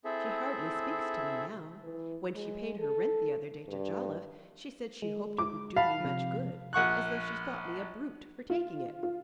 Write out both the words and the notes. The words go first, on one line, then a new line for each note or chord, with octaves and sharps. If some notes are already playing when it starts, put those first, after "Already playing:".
"She hardly speaks to me now. When she paid her rent the other day to Jolliffe, she said she hoped it would do me much good; as though she thought me a brute for taking it."
C4 E4 G#4 A4 E5
E3
G#3
A4
G2
G#3
D6
F5 F#5 A5 B5
C3 F3
A#1 F#5 C#6 F#6
F4
F4